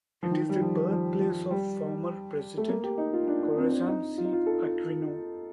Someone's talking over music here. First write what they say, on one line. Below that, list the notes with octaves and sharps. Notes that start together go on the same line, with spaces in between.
It is the birthplace of former President Corazon C. Aquino.
F3
D#3
G3
F3
F3
F3
G3
A3
A#3
G4
D#4
F4
D4
D4
C4
D4
D#4
F4
D#4
F4
A4